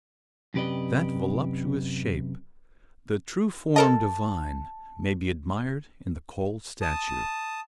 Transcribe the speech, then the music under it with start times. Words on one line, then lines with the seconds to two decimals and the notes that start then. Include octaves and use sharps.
That voluptuous shape--the true form divine--may be admired in the cold statue.
0.54 F#2 C3 G4 B4 D5 D#5
3.76 A4 A#4 D#5 A5
6.82 A5 D#6